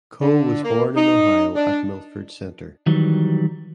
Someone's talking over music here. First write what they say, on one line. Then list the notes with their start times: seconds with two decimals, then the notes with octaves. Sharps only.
Coe was born in Ohio at Milford Center.
0.21 D3
0.64 A#3
0.96 D#4
1.55 D4
2.86 D#3 E3 F#3 G3